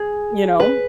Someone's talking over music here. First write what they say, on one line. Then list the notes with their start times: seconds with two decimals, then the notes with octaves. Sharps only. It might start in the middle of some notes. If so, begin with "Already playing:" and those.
You know?
Already playing: G#4
0.60 B4